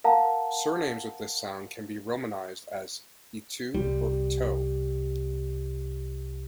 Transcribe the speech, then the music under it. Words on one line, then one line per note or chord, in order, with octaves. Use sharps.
Surnames with this sound can also be romanized as Itou or Itoh.
A#4 F5 F#5 A5 A#5
C2 G3